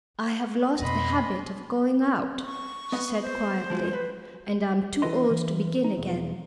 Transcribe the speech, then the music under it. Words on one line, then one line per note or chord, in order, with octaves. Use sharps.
"I have lost the habit of going out," she said quietly, "and am too old to begin again."
F2 B2 D#5 B5 C6
C#6
B3 D#5 F#5
C5
F3 G#3 F#4
B4
E3 E4 A4 B4 D#5 C6
E3
D#4
B1 E2